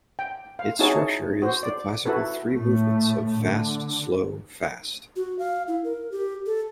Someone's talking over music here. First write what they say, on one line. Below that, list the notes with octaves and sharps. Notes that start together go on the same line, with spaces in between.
Its structure is the classical three movements of fast-slow-fast.
G5
F5
D#4 E4 F#4 G#4 C#5 A5
F#4 C5
D5
E4 F#4 A4 B4
A2 A3
D3
F#4
F5
E4
A#4
G4
A4